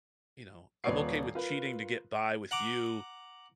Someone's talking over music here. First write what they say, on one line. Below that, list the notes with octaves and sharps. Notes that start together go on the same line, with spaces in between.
you know, I'm okay with cheating to get by with you,
D#1 A#2 B4 C#5 D5 C7
F4 A#4 B4
F#5 A#5 D6